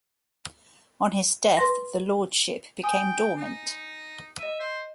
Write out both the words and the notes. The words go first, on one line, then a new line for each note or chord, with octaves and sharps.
On his death the lordship became dormant.
B4 C6 A#6
G5 G#5 D#6
D#4
D#5 E5 D#7
C5